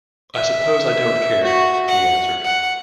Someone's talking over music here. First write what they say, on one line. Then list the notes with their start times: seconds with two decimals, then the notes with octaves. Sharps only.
"I suppose I don't care," he answered.
0.34 E5
1.43 F#4
1.88 F#5
2.44 F#5